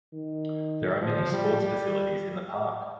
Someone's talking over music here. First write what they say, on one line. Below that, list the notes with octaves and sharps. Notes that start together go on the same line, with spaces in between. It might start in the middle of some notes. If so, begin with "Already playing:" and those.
There are many sports facilities in the park.
D#3
F3
G3
G3